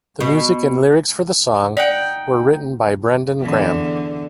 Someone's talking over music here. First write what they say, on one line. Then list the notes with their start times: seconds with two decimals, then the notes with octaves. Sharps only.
The music and lyrics for the song were written by Brendan Graham.
0.20 B2
1.77 D#4 D5 F#5 G5
3.40 E2 D3